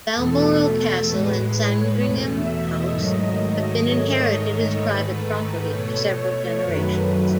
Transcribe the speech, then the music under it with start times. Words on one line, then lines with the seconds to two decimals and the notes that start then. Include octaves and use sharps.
Balmoral Castle and Sandringham House have been inherited as private property for several generations.
0.14 E2 B2 A3 A4
1.07 A2 G#3 B4
1.53 C#5
2.00 E2 B2 A3
2.30 E5
2.61 D#5
2.91 G#2 D#3 F#3 A3
3.84 G#2 D#3 A3 C#5
4.16 D#5
4.46 C#5
4.77 G#2 D#3 A3 B4
5.69 B2 A3 C#5
6.61 F#2 D#3 F#3 A3 B4
6.93 B4